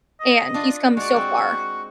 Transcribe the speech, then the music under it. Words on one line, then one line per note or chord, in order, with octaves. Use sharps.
And, he's come so far.
D#5
D4 F4
G#3 F#4 D5
C4